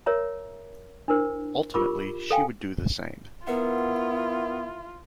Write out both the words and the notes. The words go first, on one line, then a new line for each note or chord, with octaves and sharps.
Ultimately, she would do the same.
A#4 C#5 E5 A#5
D4 E4 A#4 C5
F4 G4 A#4 B5 C#6 D6
A4 F5 G5 G#5
B3 E4 F4 A#4 B4 F#5